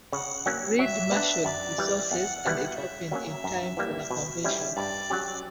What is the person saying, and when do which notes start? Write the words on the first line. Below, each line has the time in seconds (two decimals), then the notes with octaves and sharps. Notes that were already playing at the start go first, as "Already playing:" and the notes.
Reed marshaled resources and it opened in time for the convention.
0.13 C#3 F#5
0.46 F#3 A#3 C#4
0.79 F#3 E5
1.11 B3 D4
1.45 F#2 D5
1.78 E3 G3
2.11 E2 F#5
2.45 B2 G3 B3 E4
2.78 C#3 E5
3.11 F#3 A#3 C#4
3.44 F#2
3.77 E3 G3 A#3
4.11 B2
4.44 G3 C#4 E4
4.77 G2 D5
5.10 F#3 C#4 G4